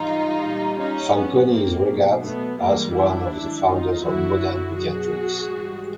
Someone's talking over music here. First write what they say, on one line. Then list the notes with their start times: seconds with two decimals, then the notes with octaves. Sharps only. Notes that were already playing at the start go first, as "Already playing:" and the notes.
Fanconi is regarded as one of the founders of modern pediatrics.
Already playing: G#2 E3 G3 D#4 F4
0.41 A#2 G3
0.78 C#4 D#4
1.14 A2 F#3 B3 C#4
1.50 A#3 C4
1.87 B2 F#3
2.23 A3 B3
2.59 G2 E3 G3 G#3 A#3
2.95 D4 E4
3.31 G#2 D#3 F#3
3.67 D#4 F4
4.04 F#2 D3 F#3 E4 F#4
4.76 B2 F#3 F#4 G#4
5.48 G#2 E3 G3